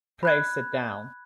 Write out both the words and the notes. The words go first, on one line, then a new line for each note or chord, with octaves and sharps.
Pray sit down.
B5 F#6 G#6